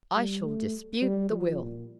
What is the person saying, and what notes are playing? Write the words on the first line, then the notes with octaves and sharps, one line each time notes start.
"I shall dispute the will."
G3
A3
G3
F3
A#2